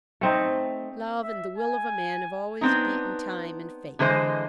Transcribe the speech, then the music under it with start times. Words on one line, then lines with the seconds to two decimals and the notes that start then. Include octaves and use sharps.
Love and the will of a man have always beaten Time and Fate.
0.21 A3 C4 D#4
1.23 E5
1.58 G#5
2.61 B3 C4 D4 D#4
3.99 D3 E3 G#3 C5 D#5